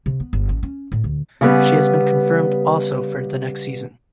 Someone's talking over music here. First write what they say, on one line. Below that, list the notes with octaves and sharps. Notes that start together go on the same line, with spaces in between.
She has been confirmed also for the next season.
C3
B3
G1
A1
C#4
A2
D2
C#3 G3 B3